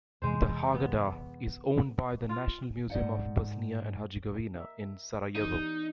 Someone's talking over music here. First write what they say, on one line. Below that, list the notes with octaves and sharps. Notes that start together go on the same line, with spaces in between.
The Haggadah is owned by the National Museum of Bosnia and Herzegovina in Sarajevo.
F2 C3 E3 G#3 C5
B3
F4
G#2 D5 F#5
A#4 D#5 E5
E3 G3 B3 D#4